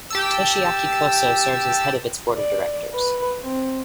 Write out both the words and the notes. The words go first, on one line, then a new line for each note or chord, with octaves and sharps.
Toshiaki Koso serves as head of its board of directors.
G4 A5 E6
D5
B4
C4